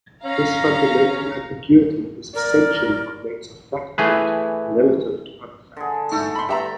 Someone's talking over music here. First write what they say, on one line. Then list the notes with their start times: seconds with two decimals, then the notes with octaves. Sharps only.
This fundamental ambiguity is essentially what makes a fact brute relative to other facts.
0.25 C#4 F5 A#5
2.35 A#4 D5
3.98 E3 A3 G#4 B4
5.77 D3 G#4
6.11 G#2 A3 A4
6.36 B5 C6
6.49 G2 G4 E5 A#5